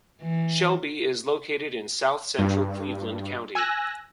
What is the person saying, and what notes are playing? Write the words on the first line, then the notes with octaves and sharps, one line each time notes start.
Shelby is located in south-central Cleveland County.
E3
G2
G#5 E6 F#6 A#6